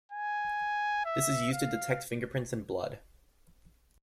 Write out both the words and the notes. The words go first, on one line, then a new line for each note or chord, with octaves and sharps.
This is used to detect fingerprints in blood.
G#5
E5
F5